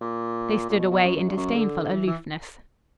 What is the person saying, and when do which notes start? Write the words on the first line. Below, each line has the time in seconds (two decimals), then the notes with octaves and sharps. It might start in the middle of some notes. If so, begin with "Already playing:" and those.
They stood away in disdainful aloofness.
0.01 A#2
0.69 A#2
0.78 B2
0.91 B2
1.05 F#2
1.17 F#2
1.29 G2
1.37 F#2
1.55 D3
1.93 E3
2.07 E3